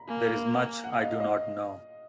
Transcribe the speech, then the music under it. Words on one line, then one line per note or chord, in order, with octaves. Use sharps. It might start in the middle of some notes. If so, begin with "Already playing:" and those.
There is much I do not know.
Already playing: A#5 B5
A#3 G#5
F#5
F5
D#5
F5
D#5